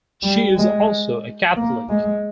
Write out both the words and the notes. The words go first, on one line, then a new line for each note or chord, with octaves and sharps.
She is also a Catholic.
G3
G#3
A#3
G#3